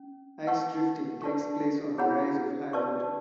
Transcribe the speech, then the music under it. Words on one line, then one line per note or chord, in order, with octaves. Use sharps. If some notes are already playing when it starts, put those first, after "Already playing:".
Ice drifting takes place on the rise of high water.
Already playing: C#4
B4 F#5 A5 C#6
B4 D5 A5 C#6
E4 G#4 C#5 F#5 B5
B4 D5 A5 C#6